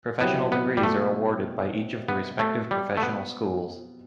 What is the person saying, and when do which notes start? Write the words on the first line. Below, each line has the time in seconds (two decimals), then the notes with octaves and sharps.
Professional degrees are awarded by each of the respective professional schools.
0.20 B2 F#3 B3 C4 E4 G4
0.52 B3
0.77 G3
0.83 A3
2.08 B3
2.40 A3
2.71 G3
2.97 A3
3.03 B3